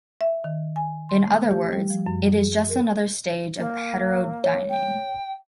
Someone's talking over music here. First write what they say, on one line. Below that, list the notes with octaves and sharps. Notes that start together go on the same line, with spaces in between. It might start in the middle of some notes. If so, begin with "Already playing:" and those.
In other words, it is just another stage of heterodyning.
E5
D#3
G#5
C6
A3
G4
G3
F3
F#2
G#4
A#4
A#3
C#5
G5